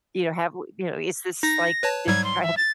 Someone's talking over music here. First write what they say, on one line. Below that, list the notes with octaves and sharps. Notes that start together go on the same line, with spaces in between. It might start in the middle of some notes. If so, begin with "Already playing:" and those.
you know, "have we" you know, "is this like did" right
D#4 A#6
B4 C#5 A5
G#2 F#3 G3 G#6
C6
E5
A6